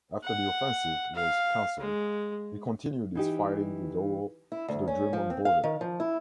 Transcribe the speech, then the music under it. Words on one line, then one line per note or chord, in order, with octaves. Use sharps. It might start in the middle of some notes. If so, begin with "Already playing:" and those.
After the offensive was cancelled, it continued its fighting withdrawal to the German border.
F#5
F5
G#3
E3 D#4 G4
E4
D2
C#4
F3
C4
F5
D#3
F3
E4